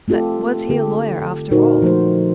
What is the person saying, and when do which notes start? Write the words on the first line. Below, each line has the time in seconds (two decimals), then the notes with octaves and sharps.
But was he a lawyer after all?
0.08 A3 C4 F4 G4 A4
0.69 D3 G4 A4
1.51 A#2 D#4 F#4 A#4 C5
1.82 F3 A3 C5